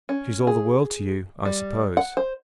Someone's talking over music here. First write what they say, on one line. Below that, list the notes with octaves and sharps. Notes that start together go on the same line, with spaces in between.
"She's all the world to you, I suppose?"
C#4
G#4
G3
F#5
C5